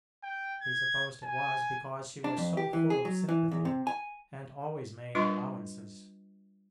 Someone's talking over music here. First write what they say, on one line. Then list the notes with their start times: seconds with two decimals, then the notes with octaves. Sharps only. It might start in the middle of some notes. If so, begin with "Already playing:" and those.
He supposed it was because she was so full of sympathy, and always made allowances.
0.23 G5
0.62 G#6
1.24 G#5
2.24 D4
2.37 F2
2.57 G4
2.73 E3
2.90 G#4
3.05 F#3
3.29 E3
3.51 E2
3.65 C3
3.87 G#5
5.15 G3 D4 F4 B4 D#5 C6